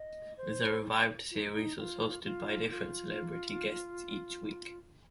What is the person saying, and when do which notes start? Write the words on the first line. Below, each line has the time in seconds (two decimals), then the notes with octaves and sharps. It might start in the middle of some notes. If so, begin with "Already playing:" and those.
The revived series was hosted by different celebrity guests each week.
Already playing: D#5
0.38 C5
1.31 F4
1.35 D#4
1.77 G4
1.81 F4
2.24 F4
2.70 F4